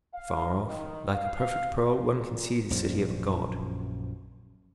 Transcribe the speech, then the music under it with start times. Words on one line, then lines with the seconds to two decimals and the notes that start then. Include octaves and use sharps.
Far off, like a perfect pearl, one can see the city of God.
0.14 F5
0.66 D#3
1.13 F5
2.05 A#2
2.70 A#1 F#2 F3